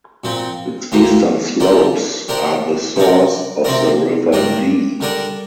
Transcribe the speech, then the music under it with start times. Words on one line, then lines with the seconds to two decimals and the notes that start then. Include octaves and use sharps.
Its eastern slopes are the source of the River Dee.
0.24 A#2 F3 C4
0.92 D2 D3 A#3 G4
1.60 D3 F3 A#3 G4 D5
2.28 F3 D4 G4 A#4 D5
2.96 C3 F3 C4 A#4 D5
3.64 C3 F3 C4 A#4 D5
4.32 G2 G3 D4 A#4 D5
5.01 D3 G3 D4 A#4 D5